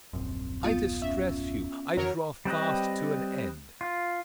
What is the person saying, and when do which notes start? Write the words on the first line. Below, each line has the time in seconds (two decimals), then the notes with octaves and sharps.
I distress you; I draw fast to an end.
0.13 D#1 A#1 F#2 C4
0.63 B3 F4 F5
1.02 C#4 E5
1.97 F2 E3 F#3 A#4 C#5
2.45 G3 C4 B4 D#5
3.81 F4